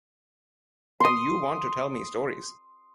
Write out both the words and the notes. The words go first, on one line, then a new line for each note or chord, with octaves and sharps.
And you want me to tell stories!
C6 D#6